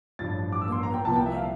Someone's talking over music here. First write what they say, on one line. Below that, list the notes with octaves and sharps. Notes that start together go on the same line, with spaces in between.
No one knew him.
A1 G2 F3 A6
D6
E6
C6
A#5
G5
C2 A#2 F3 A5
G5
E5
F5